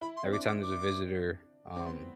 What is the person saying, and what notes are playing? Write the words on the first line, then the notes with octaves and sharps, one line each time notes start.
every time there's a visitor, um,
E4 B5
C6
C4
D4 D6
D6
D6
C4 D6
B3 C6